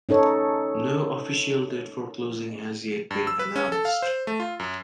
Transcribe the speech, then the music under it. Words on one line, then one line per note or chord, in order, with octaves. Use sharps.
No official date for closing has yet been announced.
C#4 D#4 A4 C#5
G2
E6
B4
C#4
A4
F5
C5
A3
F4
F#2